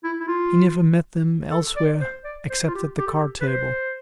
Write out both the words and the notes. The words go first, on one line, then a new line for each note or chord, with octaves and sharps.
He never met them elsewhere except at the card-table.
E4
E4
F4
A4
D5
C5
D5
C5
F4
G4
G4
A4
G4
B4
C5